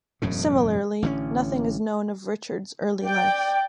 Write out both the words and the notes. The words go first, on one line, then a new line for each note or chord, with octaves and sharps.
Similarly nothing is known of Richard's early life.
E1 F#2 A2 C#3
A1 D3 F#3 C#4
D5 G5